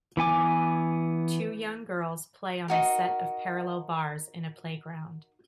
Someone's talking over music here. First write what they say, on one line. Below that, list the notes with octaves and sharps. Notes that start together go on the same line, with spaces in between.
Two young girls play on a set of parallel bars in a playground.
E3 B3 G#5 D6
D#4 F#4 A#4